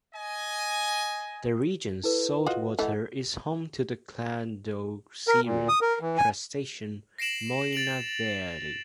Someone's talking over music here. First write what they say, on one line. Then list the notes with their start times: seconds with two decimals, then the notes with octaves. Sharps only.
The region's salt water is home to the cladoceran crustacean "Moina belli".
0.15 D#5 G#5
2.04 E4 A4 B4
2.46 F4 F#4 D#5
2.79 E3 A3 D#5 F#5
5.28 A#4
5.45 A#2
5.68 D#6
5.81 A#4
6.01 E3
6.18 G#5
7.18 A#6 C7 D7 E7 F#7
7.73 A6 D7 F7 F#7